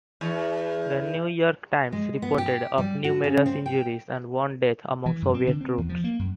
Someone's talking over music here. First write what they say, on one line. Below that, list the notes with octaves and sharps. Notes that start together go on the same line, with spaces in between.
"The New York Times" reported of numerous injuries and one death among Soviet troops.
E2
G#3
B3
G4
G3
F#4
C#3
C4
G5
E3
F#2
C4
D3
C4
E2
F3
A#3
F#2